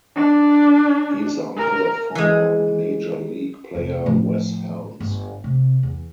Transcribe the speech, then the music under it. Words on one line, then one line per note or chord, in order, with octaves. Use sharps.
He is the uncle of former Major League player Wes Helms.
D4
A#4
E3 G#3
F1 F4
A2 F3
G1
C3
E2